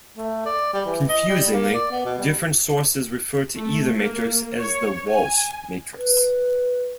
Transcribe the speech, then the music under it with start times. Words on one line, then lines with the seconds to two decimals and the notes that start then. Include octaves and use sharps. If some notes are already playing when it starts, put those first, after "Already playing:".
Confusingly, different sources refer to either matrix as the Walsh matrix.
0.17 A3
0.46 D5
0.73 G3
0.86 E3
1.09 D#5
1.29 G3
1.53 A#3
1.74 D5
1.91 B3
2.05 B2
2.18 G3
3.56 A3
3.97 A#3
4.58 C#5
5.09 G#5
5.98 B4